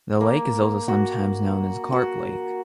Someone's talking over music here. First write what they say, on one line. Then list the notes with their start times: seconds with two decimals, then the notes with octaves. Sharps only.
The lake is also sometimes known as Carp Lake.
0.21 A#3
0.88 F#4
1.92 F#4